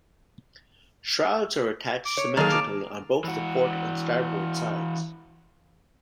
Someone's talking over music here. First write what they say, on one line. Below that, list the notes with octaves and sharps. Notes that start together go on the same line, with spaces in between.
Shrouds are attached symmetrically on both the port and starboard sides.
D6
C#5
D#3 F#3 A#3 G#4 A5 F6
D6
E3 F#4